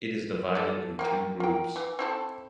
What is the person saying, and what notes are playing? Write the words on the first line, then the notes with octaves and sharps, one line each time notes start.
It is divided in two groups.
A4 D5
A#3 C4 G5
A#3 G5
E3
C4 E4 A4